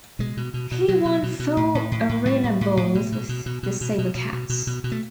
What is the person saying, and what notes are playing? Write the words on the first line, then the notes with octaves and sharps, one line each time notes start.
He won four ArenaBowls with the Sabercats.
B2 G#3
B2
B2
B2
B2 F#3
B2
B2
B2
A2
A2
A2
A2
A2 G3
A2
A2
A2
B2
B2
B2
B2
B2
B2
B2
B2
B2
B2
B2
B2
A3